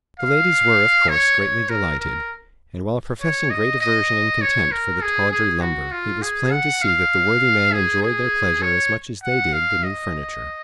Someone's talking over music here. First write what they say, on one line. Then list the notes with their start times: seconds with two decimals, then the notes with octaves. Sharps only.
The ladies were, of course, greatly delighted; and while professing great aversion and contempt for the "tawdry lumber," it was plain to see that the worthy man enjoyed their pleasure as much as they did the new furniture.
0.19 F5
1.09 C#5
1.40 C#5
1.69 A#4
2.00 A#4
3.21 C#5
3.50 D#5
3.81 D#5
4.42 C#5
4.72 A#4
5.02 G#4
5.32 G#4
5.61 F#4
5.92 F4
6.22 G#4
6.51 F#5
6.82 F5
7.73 G#4
8.03 G#4
8.63 C#5
9.23 F#5
9.53 F5
9.84 D#5